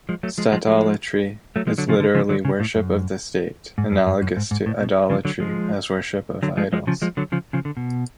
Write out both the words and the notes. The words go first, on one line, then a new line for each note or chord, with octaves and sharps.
Statolatry is literally worship of the State analogous to "idolatry" as worship of idols.
F3 G#3
F#3 A3
F3 G#3
F3 G#3
F3 G#3
F#3 A3
F3 G#3
D3 F#3
C#3 F3
D3
C#3 F3
D3 F#3
C#3
A2
F#2
G#2
F#2
F#2
F#2
G#2
G#2
A2
B2
C#3 F3
D3 F#3
F3 G#3
D3 F#3
F3 G#3
F3 G#3
C#3 F3
F3 G#3
D3 F#3
C#3 F3
C#3 F3
D3
B2